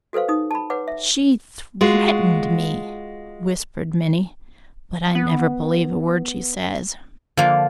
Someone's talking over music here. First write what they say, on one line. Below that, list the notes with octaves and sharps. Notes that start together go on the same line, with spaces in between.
"She THREATENED me," whispered Minnie, "but I never believe a word she says."
F#4 A4 B4 C5 F5
D#4 D#6
A5 B5
B4 C#5 F#5 D6
E5
G#3 F4 F#4
B3
D3 F3 A#3